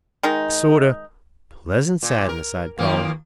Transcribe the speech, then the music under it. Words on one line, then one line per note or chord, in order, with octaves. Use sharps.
A sort o' pleasant sadness I'd call it.
D#3 G#3 D#4
A#2
A#4
D#2 F3 A#3